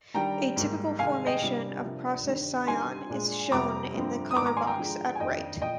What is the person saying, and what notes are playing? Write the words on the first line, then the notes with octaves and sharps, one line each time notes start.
A typical formulation of "process cyan" is shown in the color box at right.
D#3 G3 D4 G5 A#5
G#2 G3 A#3
C3 D#3 G#3 F5 G#5
D#5 G5
C3 G3 D4
C3 F3 A#3 D4
G2 D#3 G3 D4
D3 G3 C4 D#4 G#5 C6
A#2 G#3 D4
F2 C3 G3 C4 A#5 D6
G2 D3 F3 C4
D#6
G#2 D#3 A#3 A#5 D6
A#5 D6
G#5 C6
G5 A#5
D3 F3 G#3 D4
G#5
F2 D#3 A#3 D4 D#5 G5
A#2 F3 D#5 G5